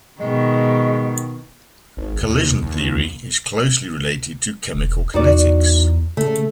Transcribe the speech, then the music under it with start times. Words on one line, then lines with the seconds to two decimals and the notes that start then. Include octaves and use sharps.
Collision theory is closely related to chemical kinetics.
0.20 B2 D#3 G#3
1.97 G#1
2.21 D#2
2.61 D#2
4.74 E1
5.14 E2 D#4 F#4 D5
6.17 C#3 A3